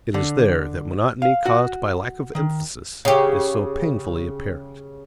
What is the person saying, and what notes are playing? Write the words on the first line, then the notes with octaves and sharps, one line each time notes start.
It is there that monotony caused by lack of emphasis is so painfully apparent.
D3
F5
F#4
D#3
C#3 G4